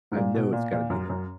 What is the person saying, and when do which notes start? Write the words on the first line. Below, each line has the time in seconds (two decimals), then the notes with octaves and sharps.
I know it's gotta be there.
0.12 G#2
0.17 A#2
0.34 B2
0.53 A#2
0.72 A#2
0.90 F#2
1.09 F#2